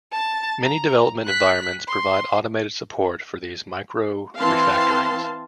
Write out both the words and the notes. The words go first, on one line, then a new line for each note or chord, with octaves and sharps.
Many development environments provide automated support for these micro-refactorings.
A5 A6
A#5
F#6 B6
C6
E3 C4 F5 A5 C6